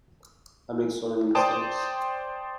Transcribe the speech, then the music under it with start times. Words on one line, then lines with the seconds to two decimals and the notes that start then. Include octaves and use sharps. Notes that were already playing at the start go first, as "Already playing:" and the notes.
I make so many mistakes.
1.35 C5 D5 G5 A5 D#6